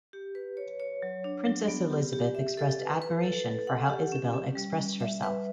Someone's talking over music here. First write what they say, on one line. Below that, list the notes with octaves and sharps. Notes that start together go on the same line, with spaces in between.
Princess Elizabeth expressed admiration for how Isabel expressed herself.
G4
B4
C#5
C#5
F#3
D4
F#3
B3
G4
G4
E5
A4
B4
B4
A4
A4
F#5
G4
C#4
C#4
G3
G3
E5
B4